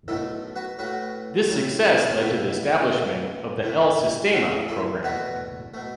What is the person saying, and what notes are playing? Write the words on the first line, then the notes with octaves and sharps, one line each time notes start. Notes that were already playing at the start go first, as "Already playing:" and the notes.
This success led to the establishment of the El Sistema programme.
B1 B2 A3 E4 A4
F#4 B4
A2 A3 F#4 B4
A2
A3
C#4
C#2 B2 A3 E4
C#2 B2 A3
A2 A3
A2 A3 C#4 F#4
E4 A4
E2 B2 A3 F#4 B4
B2 A3